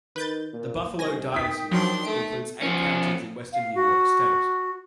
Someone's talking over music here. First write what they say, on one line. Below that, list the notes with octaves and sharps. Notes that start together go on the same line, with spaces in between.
The Buffalo Diocese includes eight counties in Western New York State.
D#3 B4 G6 A6
A#2
C2 G#5 A#6
D#3 G5 D#6 B6
F3 F#3 D4 C6
A3 D7
F3 C#4
F5
F#4